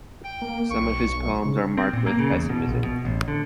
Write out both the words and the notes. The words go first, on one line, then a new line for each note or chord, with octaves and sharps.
Some of his poems are marked with pessimism.
G5
A#3
B1 C#6
C#3
C4
A#2
A#3
C#3
E2
B2
A#1
B2
A1
D3